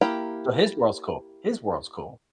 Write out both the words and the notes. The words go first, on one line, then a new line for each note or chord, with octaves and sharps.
So his world's cool. His world's cool.
A#3 E4 G4 G5 A#5